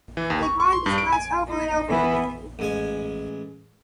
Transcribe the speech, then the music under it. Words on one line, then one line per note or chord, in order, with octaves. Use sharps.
They grind this brass over and over again.
E3
D#2
C#6
C#6
C6
G2
D7
G#5
D#4
E3 B3
A1 G#3 G#5